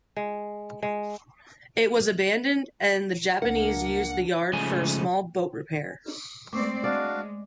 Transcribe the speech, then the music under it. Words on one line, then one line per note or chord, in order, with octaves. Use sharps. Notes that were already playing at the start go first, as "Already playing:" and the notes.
It was abandoned and the Japanese used the yard for small boat repair.
G#3
G#3
C#2 A#3 D4 F#5
C#3 F3 G#3 A3 G#5
G#3 A3 C4 D5 C#6 D6
G#3 D4 F#4 D5 F5